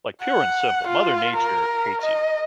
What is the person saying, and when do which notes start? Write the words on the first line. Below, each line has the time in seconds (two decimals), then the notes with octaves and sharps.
like pure and simple. Mother Nature hates you.
0.24 F#5
0.88 F4
1.36 A#4
2.02 D#5